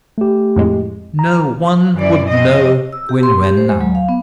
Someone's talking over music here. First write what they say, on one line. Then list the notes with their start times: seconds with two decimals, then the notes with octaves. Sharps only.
No one would know Gwen Wynn now.
0.18 A3 G4
0.56 F2 A2 G#3
1.19 A#5
1.96 F#2 E3 D5
2.29 F3 C4 D#5
2.93 E6
3.09 G4
3.23 C6
3.43 G4
3.57 C5
3.69 G#3
3.81 F#3
3.95 F5
4.09 B3